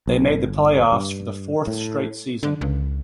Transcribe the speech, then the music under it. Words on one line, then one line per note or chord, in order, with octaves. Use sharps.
They made the playoffs for the fourth straight season.
B1
G1
G2
A2
D3
C#2